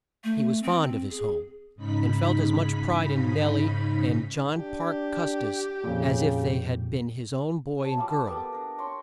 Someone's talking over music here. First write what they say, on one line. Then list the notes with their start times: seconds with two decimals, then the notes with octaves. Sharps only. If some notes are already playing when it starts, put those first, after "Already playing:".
He was fond of his home, and felt as much pride in Nel-lie and John Parke Cus-tis as if they had been his own boy and girl.
0.24 A3
0.62 C4
1.11 G#4
1.75 G#2 C#3 D#4 B5 B6
4.57 D4 G4
5.84 F2 A#2 C#3
7.80 C#5 A5
7.97 F3 G3 A5 D6
8.26 A#3 B3 G4 A4
8.52 D4 A#4
8.78 C#5 C6 C#6